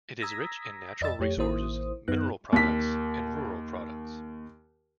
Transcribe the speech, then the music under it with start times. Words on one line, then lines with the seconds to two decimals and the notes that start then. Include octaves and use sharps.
It is rich in natural resources, mineral products, and rural products.
0.20 A#5 D#6 E6 G#6 A#6 B6
1.01 F2 D5 D#5 B5 E6 A6
1.19 F2 A3 G4 C#5
1.37 A1 D#3 A#3 E4 C5 D#6
2.08 F#2 B3 D#4 F#6
2.53 D#2 B6